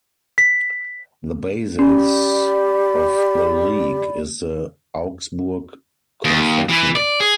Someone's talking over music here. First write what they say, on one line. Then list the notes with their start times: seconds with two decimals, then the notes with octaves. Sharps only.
The basis of the league is the Augsburg Confession.
0.38 B6
1.79 C#4 G4 D5 B5
6.25 D#2
6.69 E3
6.96 D5
7.20 G#4